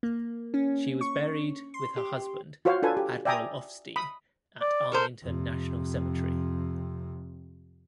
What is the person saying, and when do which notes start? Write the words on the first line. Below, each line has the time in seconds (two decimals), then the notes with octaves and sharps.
She was buried with her husband, Admiral Ofstie, at Arlington National Cemetery.
0.03 A#3
0.54 C#4
1.01 C#6
1.74 C6
1.97 G4
2.65 F4 F#4 C5 C#5 F5
2.82 D4 F4 A4 B4 G#5
2.97 G4
3.25 D5 E5 G5 G#5 A#5 D#6
3.96 B5 D#6
4.61 D5
4.92 A4 A#4 C5
5.23 F2 C3